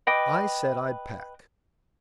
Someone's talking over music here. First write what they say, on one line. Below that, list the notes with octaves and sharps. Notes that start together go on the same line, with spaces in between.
I said I'd pack.
B4 D#5 G5 D6